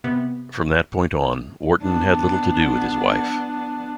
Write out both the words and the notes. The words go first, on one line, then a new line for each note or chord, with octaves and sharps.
From that point on, Wharton had little to do with his wife.
C3 B3
B3 D4